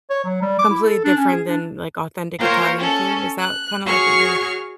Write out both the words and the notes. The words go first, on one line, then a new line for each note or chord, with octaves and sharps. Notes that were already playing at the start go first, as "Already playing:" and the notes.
completely different than, like, authentic Italian food, is that, kinda, like, what your
C#5
F#3
G3
D6
E4
A4
D4
C#4
G#4
D4
A#3 F4 A#4 C5 C#5 G5
C#4 A4
F#6
F#4 G#4 C#5 C#6 F6